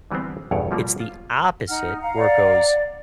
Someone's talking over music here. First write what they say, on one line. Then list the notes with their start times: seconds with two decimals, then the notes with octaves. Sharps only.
it's the opposite where it goes,
0.11 D3 E3 G3 B3 C4
0.51 A1 E2 G2 B2 C#5 D5
0.71 B2 F3 G3 A#3
1.00 F4
1.68 D#4 F#5 F6
2.01 F5 F#5 A#5
2.17 D5